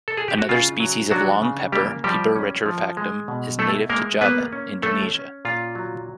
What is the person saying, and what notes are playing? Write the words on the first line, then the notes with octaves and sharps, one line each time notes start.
Another species of long pepper, "Piper retrofractum", is native to Java, Indonesia.
A4
G#4
G4
F#4
C#3 F4
F#3
F#3 D4 F#4
C#3
G3 A#3 G4
F3 G3 G4
C#4
F3
G#3
B2
A3 E4 A4
G#3 A#3 A#4
A#3 B3 B4
C#4
A3 C#4 A4
C#4
A#2 F4
F#3